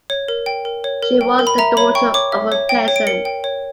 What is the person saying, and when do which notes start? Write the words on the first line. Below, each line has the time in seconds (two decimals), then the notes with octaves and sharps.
She was the daughter of a peasant.
0.10 C#5
0.28 A#4
0.46 G5
0.65 A#4
0.84 C#5
1.03 A#4
1.21 G5
1.39 A#4
1.47 B5
1.58 E5 A#5
1.77 C#5 B5
1.95 G5 C#6
2.14 C#5 D6
2.32 E5
2.52 C#5
2.69 G5
2.88 C#5
2.96 D7
3.07 A#4 C#7
3.25 G5
3.44 C#5